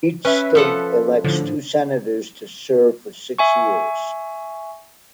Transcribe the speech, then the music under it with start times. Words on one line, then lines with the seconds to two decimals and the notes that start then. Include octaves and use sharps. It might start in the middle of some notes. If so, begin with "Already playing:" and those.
Each state elects two senators to serve for six years.
0.25 C#4 B4 E5
0.55 F3 A4 F#5
1.24 A2 D3 F3
3.38 E5 G#5 C#6